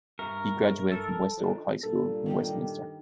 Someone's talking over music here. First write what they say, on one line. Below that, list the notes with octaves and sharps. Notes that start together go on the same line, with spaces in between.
He graduated from West-Oak High School in Westminster.
G2 A#4 E5 C#6
A4
F3 D4 D#4
G2 A#2 A4
D#3 G4 D#5